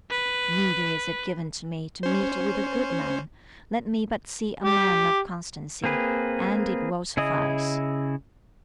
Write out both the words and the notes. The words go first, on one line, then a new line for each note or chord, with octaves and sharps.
Neither is it given to me to meet with a good man; let me but see a man of constancy, and it will suffice.
B4
C#4 C5
G4
A#3 C4 G#4 B4
C#3 E4 G#4 D#5 D#6